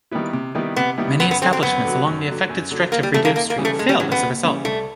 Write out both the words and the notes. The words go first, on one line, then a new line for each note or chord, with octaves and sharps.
Many establishments along the affected stretch of Rideau Street failed as a result.
D#3 G3 B3 E4
C3
D#3 G3 B3 E4
C3 B3
D#3 G3 B3 E4
F#2 B3
B3
D3 F#3 C4
C4
F#2 B3
D3 F#3
F#2
D3 F#3
F#2
D3 F#3
D#2 A#3
G3
C#3 E3 G3 A3
A#3
D#2 A#3
A#3
C#3 E3 G3
A3
D#2 G#3
G3
C#3 E3 F#3 G3
B3
D#2
C#3 E3 G3
C2 A3